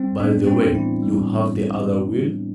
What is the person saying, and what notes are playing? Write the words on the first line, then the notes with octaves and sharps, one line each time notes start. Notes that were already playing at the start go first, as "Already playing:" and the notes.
"By the way, you have the other will?"
Already playing: G3 C4
A2 B3 D4
A2 C4
E3 C4 E4
G3